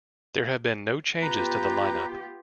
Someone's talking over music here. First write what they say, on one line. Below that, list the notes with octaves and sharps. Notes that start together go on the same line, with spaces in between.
There have been no changes to the lineup.
B3 F4 G4 B4 A#5